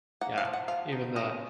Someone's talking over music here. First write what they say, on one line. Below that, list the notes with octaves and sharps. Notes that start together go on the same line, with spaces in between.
yeah, even the,
A#3 F#5
F5
F3
F#5
F3 F5
D#4
C#4 D#5